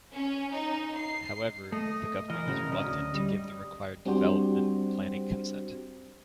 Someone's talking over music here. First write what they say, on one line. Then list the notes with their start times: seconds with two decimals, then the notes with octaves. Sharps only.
However, the government was reluctant to give the required development planning consent.
0.12 C#4
0.52 D#4
0.97 C7
1.72 A3 D#5
2.30 E3 A#4 D#5
2.46 A2 C#3 F#3
2.72 D2 C#4 D#5
3.15 G3
4.06 G3 C4 D4 F#4 G4 C5